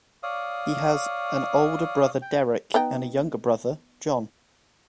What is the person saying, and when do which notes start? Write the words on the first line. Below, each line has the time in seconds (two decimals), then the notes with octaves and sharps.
He has an older brother, Derek, and a younger brother, John.
0.23 C#5 D5 F5 D#6
2.22 G5
2.74 B3 D#4 G5